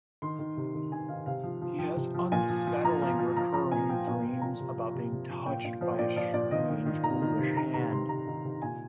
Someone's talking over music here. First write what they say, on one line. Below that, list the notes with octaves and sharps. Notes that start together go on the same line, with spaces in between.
He has unsettling recurring dreams about being touched by a strange, bluish hand.
D#3 C6
D#3
C3
D#3
D#3 G#5
D#3 F5
C3 F5
F3
F3
F3 G5
C3
F3
A#2 G#5
F3
F3
F3 A#5
F3
F3
F3 A#5
F3 A#5
A#2 G#5
F3 G5
A#2
F3
F3 A#5
C3
F3
C3
C3
F3
A#2 G5
A#2
F3 C5
A#2 D5
F3 D5
A#2 D5
D#3 D#5
D#3
D#3
D#3 A#5
D#3
C3
D#3 A#5
C3 A#5
C3 C6
C3 A#5
D#3
C3
A#2 G#5